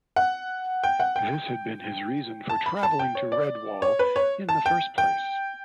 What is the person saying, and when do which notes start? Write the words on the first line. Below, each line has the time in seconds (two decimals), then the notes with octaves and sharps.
This had been his reason for travelling to Redwall in the first place.
0.16 F#5
0.83 G5
1.00 F#5
1.16 G5
2.49 A5
2.66 B5
2.83 A5
2.99 G5
3.15 C#5
3.32 D5
3.82 C#5
3.99 B4
4.16 C#5
4.49 A5
4.66 G5
4.98 G5